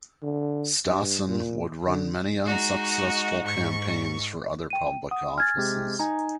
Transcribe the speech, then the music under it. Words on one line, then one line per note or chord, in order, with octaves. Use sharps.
Stassen would run many unsuccessful campaigns for other public offices.
D3
G2
A#2
D3
G#3 D#4 F#4
G#2 C#6
G5 D#7
F#5 D#6
G#5 F6 G#6 A6
C3 G#3 G4
D#4 G#5 A#5